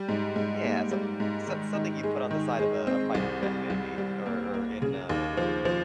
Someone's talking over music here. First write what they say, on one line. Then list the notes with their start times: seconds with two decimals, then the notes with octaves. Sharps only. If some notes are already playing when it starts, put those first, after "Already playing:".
Yeah. So so something you put on the side of a a fighter jet maybe, or or in a, you know,
Already playing: G3
0.08 G#2
0.36 G#2
0.64 A#3
0.91 G3
1.20 G#2
1.47 D#3
1.75 D#3
2.03 G#3
2.31 D#3
2.59 G#3
2.87 C4
3.15 C2
3.43 G3
3.70 C2
3.98 G3
4.26 A#3
4.54 A#3
4.82 C#3
5.09 D#2
5.37 F3
5.65 F3